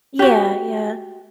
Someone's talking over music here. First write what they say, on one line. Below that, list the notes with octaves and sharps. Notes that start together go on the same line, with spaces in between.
Yeah, yeah.
F#4 G4